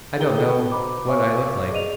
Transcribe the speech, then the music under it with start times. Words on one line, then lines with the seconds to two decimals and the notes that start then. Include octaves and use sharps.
I don't know what I looked like.
0.19 E4 G#4 D#5 G5 A#5 G7
0.35 A4 G5
0.72 B4 C5 A#5 B5 D6
1.08 C#5 E5 F5 G#5 C#6 D6
1.71 G#4 D5 D#5 D#7 F7